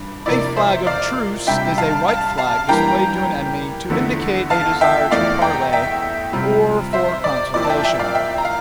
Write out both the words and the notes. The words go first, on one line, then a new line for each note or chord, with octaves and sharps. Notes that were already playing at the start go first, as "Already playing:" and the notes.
A "flag of truce" is a white flag displayed to an enemy to indicate a desire to parley or for consultation.
Already playing: G2 D4
C3 F3 A#3 E4 D5
C5 E5
D5 F5
C3 G3 D4 E5 G5
F5 A5
F5 A5
F5 A5
E3 G3 A#3 D4 G5 A#5
E2 D3 F3 A3 E4
F5 A5
E5 G5
E2 E3 A3 D5 F5
G5 A#5
E5 G5
C3 G3 C4 F4
C5 E5
D5
A#2 F3 C4 E4 D5
A5
E5 G5
E5 G5
D5 F5
E5 G5
A#5
F5